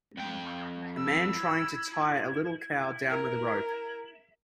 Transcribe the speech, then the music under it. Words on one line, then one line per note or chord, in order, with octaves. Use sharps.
A man trying to tie a little cow down with a rope.
F2 G5
B5 E6
A#4